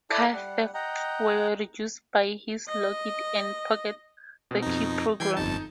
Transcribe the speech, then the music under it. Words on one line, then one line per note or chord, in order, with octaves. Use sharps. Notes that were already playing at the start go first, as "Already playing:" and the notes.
Car thefts were reduced by his 'lock it and pocket the key' program.
E4 A4 D5
G3 F#5
D#5 F#5 G5 A#5
D#5
B2 C4
F2 D#4
E3 G3 G5 G#6 C7
G1 F2 D#4 A5